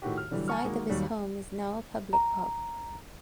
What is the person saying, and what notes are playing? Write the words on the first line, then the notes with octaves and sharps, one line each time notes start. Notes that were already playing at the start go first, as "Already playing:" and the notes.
The site of his home is now a public park.
A2 D#3 F#4 G4
F6
D3 E3 F#3 G3
G#5 A5 C#6 F6
D#3 G#3 A#3 F#4
D#2 D#3 F#3 G3
A#5